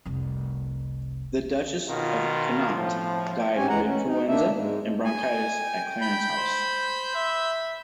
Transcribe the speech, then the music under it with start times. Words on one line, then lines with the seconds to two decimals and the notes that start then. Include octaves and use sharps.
The Duchess of Connaught died of influenza and bronchitis at Clarence House.
0.05 F1 C2
1.89 B2 D#3 F4
2.74 A2 F3
3.55 G#2 C4 C#4 G4 C#5 G#5
3.69 D2 E3 G#3 F#5 A#5
3.85 C#4
4.06 D#4
4.28 A#3 D4 E5
4.57 G#2 G#3
5.05 G#5
5.61 G5
6.01 B5 G6
6.37 C5
7.15 E5